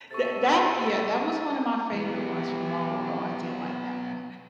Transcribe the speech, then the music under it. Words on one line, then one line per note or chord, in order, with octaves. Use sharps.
that that yeah, that was one of my favorite ones from long ago, I did like that one.
C3 A4 C#6 A6
E3 F#3 B3 G4